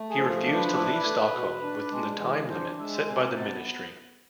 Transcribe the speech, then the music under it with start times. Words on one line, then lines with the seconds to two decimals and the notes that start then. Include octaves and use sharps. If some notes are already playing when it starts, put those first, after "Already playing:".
He refused to leave Stockholm within the time limit set by the Ministry.
Already playing: A3
0.10 G#4
0.16 F3
0.46 D4
0.53 B4
0.75 E4
1.03 A3
1.32 B2
1.62 D4
1.91 G#3
2.20 E3
2.49 D4 C5
2.78 G#3 E5
3.07 C3 G#5
3.36 B3 A5